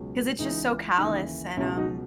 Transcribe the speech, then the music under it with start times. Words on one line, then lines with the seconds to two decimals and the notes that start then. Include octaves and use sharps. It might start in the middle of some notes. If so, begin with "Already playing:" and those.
'cause it's just so callous and, um,
Already playing: C#2 B2 F#3
0.39 C#2 C#3 E3 D#4
0.98 D#2 C#3 E3 D#4
1.57 C#2 B2 F#3 C#4 E4
1.77 D#4 F#4